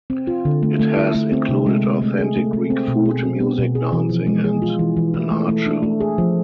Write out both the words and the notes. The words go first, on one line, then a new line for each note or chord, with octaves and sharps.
It has included authentic Greek food, music, dancing, and an art show.
C4
F4
D3
A3
A3
E4
A3
C4
C3
G#3
G#3
A3
G#4
A3
A3
C4
B2
G#4
C4
B3
B2
G#4
E3
F3
G#3
G#4
F4
E3
E3
E4
A3
A3
D4
A3
G#4
F3